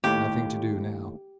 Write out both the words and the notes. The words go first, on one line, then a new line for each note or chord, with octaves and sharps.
Nothing to do, now.
D#2 A2 G4